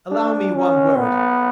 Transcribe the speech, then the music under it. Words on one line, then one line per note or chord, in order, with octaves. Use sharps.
Allow me one word.
D4
C#4
B3